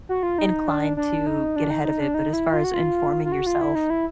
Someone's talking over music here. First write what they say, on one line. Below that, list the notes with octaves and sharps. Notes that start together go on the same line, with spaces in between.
inclined to get ahead of it, but as far as informing yourself,
F#4
F4
D#4
D4
D4
D#4
D4
D#4
D#4
D4
D#4
E4
F4
F#4
F4
F4
F#4
F4
E4
D#4
E4